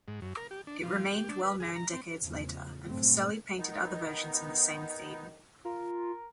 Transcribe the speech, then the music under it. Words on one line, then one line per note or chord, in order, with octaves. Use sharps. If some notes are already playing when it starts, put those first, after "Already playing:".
It remained well-known decades later, and Fuseli painted other versions on the same theme.
G#2
F#2
A#4
G4
D4
F3
G4
D4
B4
G#4
A#5
C4
E2 A2 C#3 F3
F#1 G2 A#2 F#3 A3 C4
D#3 B3 D#4
F4 A#4